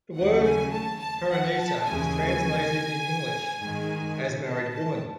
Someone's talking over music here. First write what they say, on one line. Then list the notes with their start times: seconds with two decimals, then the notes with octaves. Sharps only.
The word "Parineeta" is translated in English as "married woman".
0.16 D#2 C#3 F#3 A3 F#5
0.44 G#5
0.73 A5
1.01 A5
1.31 F#5
1.59 A5
1.87 D#2 C#3 E3 G#3 G#5
3.59 G#2 D#3 G#3
4.45 A5
4.74 A5